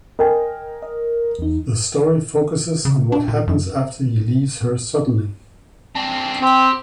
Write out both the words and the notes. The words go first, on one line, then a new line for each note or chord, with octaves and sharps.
The story focuses on what happens after he leaves her suddenly.
A#4 D#5 G5 G#5
D#5
E2 D#4
C#3
D4
A#2
F#2
C4 D4
C4 G4